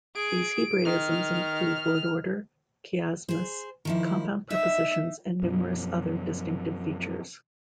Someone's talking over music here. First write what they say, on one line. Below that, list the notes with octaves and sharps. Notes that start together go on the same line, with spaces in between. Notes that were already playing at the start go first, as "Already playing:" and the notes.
These hebraisms include word order, chiasmus, compound prepositions, and numerous other distinctive features.
G#4 D7
D#3 F6
G#4 C5
D#3 F3 E4
D#4 D#5 E5
F#2 B2 F3